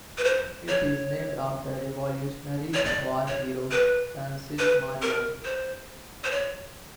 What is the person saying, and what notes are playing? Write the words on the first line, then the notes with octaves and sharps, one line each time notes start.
It is named after Revolutionary War hero Francis Marion.
B4
C5
C#5
C#5
D5
C#5
B4
B4
A#4
C5
C5
C#5